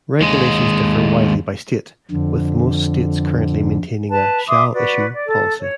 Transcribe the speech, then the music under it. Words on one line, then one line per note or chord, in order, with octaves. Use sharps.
Regulations differ widely by state, with most states currently maintaining a "Shall-Issue" policy.
D#2 G#3
F2 D3
B4 A5
E5 C6 D6 D#6
F#4 B4 D5
D5
A4
C#5